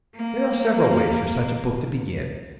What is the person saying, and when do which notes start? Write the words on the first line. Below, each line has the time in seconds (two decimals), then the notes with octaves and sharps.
There are several ways for such a book to begin.
0.16 A#3